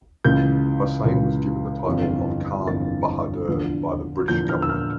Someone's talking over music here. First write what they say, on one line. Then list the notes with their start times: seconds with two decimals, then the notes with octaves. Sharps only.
Hossain was given the title of Khan Bahadur by the British Government.
0.24 C#2 C#3 E3 G6
1.05 C#2 C#3 E3
1.86 G1 F2 E3
2.67 G1 F2 E3 A6
3.48 E2 D3 F3
4.28 E2 D3 F3 G6
4.49 F6
4.62 E6
4.69 F6